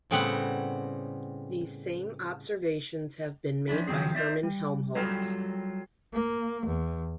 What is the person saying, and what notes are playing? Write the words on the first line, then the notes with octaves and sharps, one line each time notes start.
These same observations have been made by Hermann Helmholtz.
A2 C#3 G3 B3 C4 F#5
F3 C#4 D4 E4
D#3 F3 F#3 C4 G#4
D#4 C5 D5 E5
G3
F#3 G3 F4 A4 A#4
A#3
E2